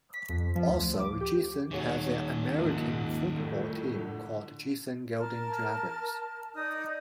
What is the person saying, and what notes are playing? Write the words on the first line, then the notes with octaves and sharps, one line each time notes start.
Also, Giessen has an American football team called Giessen Golden Dragons.
B6
F2
F3
D2
D6
G4
A#2 D#3 F#4 G#4 C#5
D#2 G#2 F3
C2 F2 A2
D3
A#4 A5 F6
D#4 D5 D#6